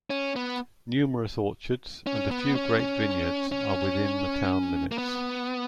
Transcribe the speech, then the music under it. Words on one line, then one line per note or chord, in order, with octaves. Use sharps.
Numerous orchards and a few grape vineyards are within the town limits.
C#4
B3
C#4
B3
C#4
C#4
C#4
A#3
B3